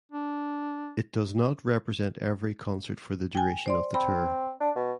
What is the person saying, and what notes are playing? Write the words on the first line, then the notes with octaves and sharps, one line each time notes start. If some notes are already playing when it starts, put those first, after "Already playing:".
It does not represent every concert for the duration of the tour.
D4
G5 G#5
C5 D5 C6
C4 B5
D4
B2